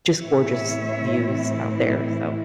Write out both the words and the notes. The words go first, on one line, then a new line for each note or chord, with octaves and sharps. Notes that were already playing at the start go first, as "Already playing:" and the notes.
just gorgeous views out there. So,
A2 E3 C4 E4 C#5 E5